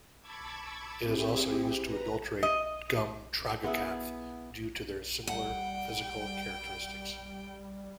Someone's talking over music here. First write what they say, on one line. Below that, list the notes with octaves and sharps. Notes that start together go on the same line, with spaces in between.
It is also used to adulterate Gum tragacanth due to their similar physical characteristics.
A5 B5 C#6 D6 E6 G#6
C4 E4 G4 G#4
B4 A#5
D#5
B3 E4 G#4
G3 F#5 G5